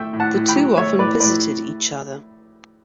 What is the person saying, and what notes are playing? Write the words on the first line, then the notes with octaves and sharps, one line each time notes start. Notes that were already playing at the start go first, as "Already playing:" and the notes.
The two often visited each other.
Already playing: A3 E5 G5
A2
F#5 A5
A2
G5 B5
F#3
A3 C#5 E5
A2 B4 D5
A2 B4 D5